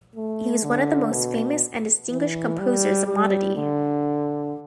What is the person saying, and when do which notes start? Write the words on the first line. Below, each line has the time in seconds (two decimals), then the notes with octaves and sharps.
He was one of the most famous and distinguished composers of monody.
0.16 A3
0.64 D3
1.13 B2
2.10 E3
2.59 G3
3.07 G3
3.56 D3